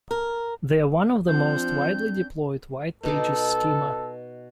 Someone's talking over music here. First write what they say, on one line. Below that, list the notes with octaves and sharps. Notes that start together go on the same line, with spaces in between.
They are one of the most widely deployed white pages schema.
A#4
F3 C4 D4 G6
B2 D#4 A4 D6